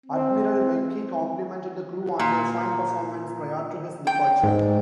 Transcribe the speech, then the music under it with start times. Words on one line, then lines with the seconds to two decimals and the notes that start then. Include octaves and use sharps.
Admiral McKee complimented the crew on their fine performance prior to his departure.
0.06 C4
2.19 A#2
4.07 G5
4.43 G#2